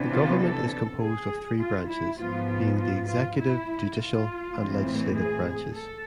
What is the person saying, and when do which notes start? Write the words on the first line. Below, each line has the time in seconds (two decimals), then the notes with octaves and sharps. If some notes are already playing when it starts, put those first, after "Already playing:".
The government is composed of three branches, being the executive, judicial, and legislative branches.
Already playing: C3 E3 B3 D4
0.11 F4
0.41 A4
1.00 G#4
1.59 F4
1.88 E4
2.18 G#2 F3 B3 F4
2.47 F4
2.77 F4
3.06 F4
3.36 E4
3.95 F4
4.55 A2 E3 G#3 C4
5.14 G#4
5.73 A4